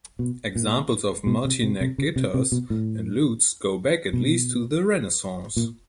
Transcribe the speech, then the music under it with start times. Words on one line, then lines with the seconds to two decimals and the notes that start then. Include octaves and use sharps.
Examples of multi-neck guitars and lutes go back at least to the Renaissance.
0.19 B2
0.56 A#2
1.27 B2
1.45 C3
1.63 C3
1.81 C3
1.98 C#3
2.16 C3
2.34 C3
2.52 B2
2.70 A2
4.13 B2
5.56 A#2